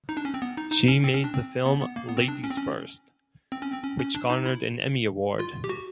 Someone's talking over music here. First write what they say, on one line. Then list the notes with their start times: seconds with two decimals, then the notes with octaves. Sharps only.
She made the film "Ladies First" which garnered an Emmy Award.
0.09 D#4
0.17 D4
0.25 C#4
0.34 C4
0.42 B3
0.57 D#4
0.72 D#4
0.88 C#4
1.04 C4
1.14 C#4
1.24 D4
1.34 C4
1.66 B3
1.81 B3
1.96 A#3
2.08 B3
2.17 C4
2.28 D4
2.44 C#4
2.50 C4
2.57 C#4
3.52 C4
3.62 C#4
3.72 C4
3.83 C#4
4.00 C#4
4.15 D4
4.30 D#4
4.46 E4
5.39 F4
5.64 G4
5.69 F#4